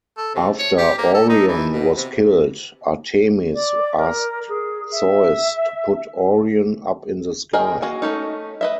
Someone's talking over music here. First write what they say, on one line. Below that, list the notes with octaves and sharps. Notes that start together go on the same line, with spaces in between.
After Orion was killed, Artemis asked Zeus to put Orion up in the sky.
A4
C3
C#5
G4
A#3
A4
D#4
E3
B2
C3
D5
A#4
G#4
E5
G#4 A#4 D#5 G5
A#3 F#4 G#5
A3 C#4 D#4
B4 D#5 E5